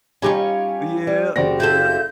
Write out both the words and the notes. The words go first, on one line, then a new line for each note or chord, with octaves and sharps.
Oh yeah, yeah,
G3 C#4 D#4 F4 G4 G#5
G3
F#1 C4 F#4 G4 D5 A#6
E4 F4 A4 G6